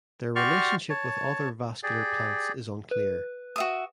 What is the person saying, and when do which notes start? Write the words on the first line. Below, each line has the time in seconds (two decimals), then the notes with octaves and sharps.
Their relationship with other vascular plants is unclear.
0.36 F#4 G4 D5 C6 C#6 F6
0.90 C#5 A5
1.83 G4 G#4 D5
2.91 B4
3.56 F#4 E5 D#6